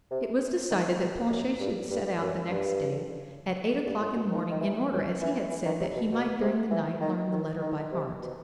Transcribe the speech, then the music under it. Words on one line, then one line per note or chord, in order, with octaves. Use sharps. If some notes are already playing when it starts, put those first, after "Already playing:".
It was decided that Planchet should set out the next day, at eight o'clock in the morning, in order, as he had said, that he might during the night learn the letter by heart.
C3
D#3
B2
F#2
F#2
G2
G2
F#2
G2
G2
A2
B2
D#3
D#3
E3
F#2
E3
E3
D#3
C3
B2
B2
C3
E3
D#3
D#3
D#3
C3
B2